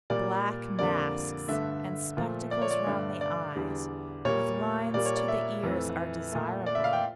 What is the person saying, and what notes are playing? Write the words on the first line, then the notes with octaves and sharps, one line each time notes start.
Black masks, and spectacles round the eyes, with lines to the ears, are desirable.
A#2 G3 A#3 D5
F2 D3 G3 A#3 D5
G2 D3 A3 E5
A#2 F3 A3
D5
C#5
D5
G2 D3 A3
D5
E2 D3 G3
A#2 G3 A#3 C#5
A#2 G3 A#3 D5
C#5
D5
E5
F2 E3 A3
A#2 A3
D5
E5
F5
G5